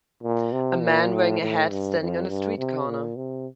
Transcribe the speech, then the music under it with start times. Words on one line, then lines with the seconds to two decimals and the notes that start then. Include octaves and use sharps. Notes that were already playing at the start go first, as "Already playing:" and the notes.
A man wearing a hat standing on a street corner.
0.23 A#2
0.53 C3
0.82 A#2
1.12 A2
1.41 A2
1.71 G2
2.00 F2
2.28 G2
2.58 C3
2.88 A#2
3.16 C3